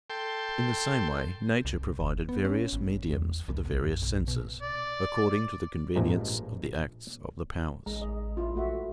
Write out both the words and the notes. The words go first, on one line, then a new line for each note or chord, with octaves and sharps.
In the same way nature provided various mediums for the various senses, according to the convenience of the acts of the powers.
A4 G5 C6
C2
F1
B3
C#4
G#1
E2
C2
A#1
F#2
B1
B2
D5
A1 G2 A#2 F3 G#3 A#5
A1 G#3 A#5
D#5
E4 F4
A#1 A3 F#4 E5